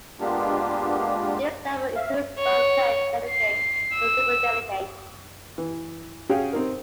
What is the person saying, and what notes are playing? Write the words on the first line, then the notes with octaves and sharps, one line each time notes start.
This number includes both pledged delegates and superdelegates.
G#3 A#3 B3 D4 F4 G4
E5 F5
C#5
C7
E6
E3
C#4 F#4 G#4 F5 G5
C4 D#4 A#4